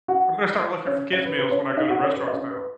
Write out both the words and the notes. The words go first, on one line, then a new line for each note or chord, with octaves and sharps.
I'm gonna start looking for kids meals when I go to restaurants now.
F#4 F#5
C#4 C#5
C#4 C#5
B4
B4
C#4 C#5
C#5
D#4 D#5
F#4 F#5
C#4 C#5
B4
D#5
C#4 C#5
B4